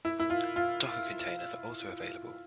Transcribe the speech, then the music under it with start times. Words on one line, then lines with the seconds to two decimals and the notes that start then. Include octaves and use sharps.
Docker containers are also available.
0.05 E4
0.20 E4
0.30 F4
0.56 F4